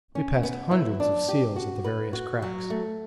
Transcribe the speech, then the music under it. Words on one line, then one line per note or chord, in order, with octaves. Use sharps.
We passed hundreds of seals at the various cracks.
C#4
B3
E4
D4
G4
F#4
B4
F#4
F#3
A3